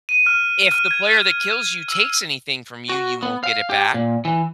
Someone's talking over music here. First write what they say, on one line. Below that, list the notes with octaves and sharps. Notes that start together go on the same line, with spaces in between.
If the player that kills you takes anything from you, you won't get it back.
D#7
F6
F6
G#6
E6
F#4
B3
F5
G4
A#2
E3